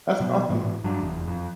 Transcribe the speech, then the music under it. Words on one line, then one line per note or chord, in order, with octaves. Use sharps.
that's awesome.
B2 F#3
G#2 E3
G2 F#3 D4
F1 E2
F2